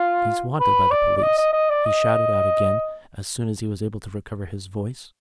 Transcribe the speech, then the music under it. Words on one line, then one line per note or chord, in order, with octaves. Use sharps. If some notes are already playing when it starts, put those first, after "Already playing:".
"He's wanted by the police," he shouted out again, as soon as he was able to recover his voice.
Already playing: F4
B4
D5
D5
D#5
D#5
D#5
D5
D#5